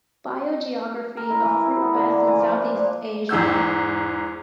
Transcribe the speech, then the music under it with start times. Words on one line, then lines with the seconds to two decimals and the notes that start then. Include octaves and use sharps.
Biogeography of fruit bats in Southeast Asia.
1.17 A#4
1.30 E4
1.43 E3
1.54 E4
1.65 E4
1.82 B3
1.94 D3
2.09 A#3
2.27 E3
2.40 F3
2.55 D4
2.75 A#2
3.29 E2 G#2 E6 G6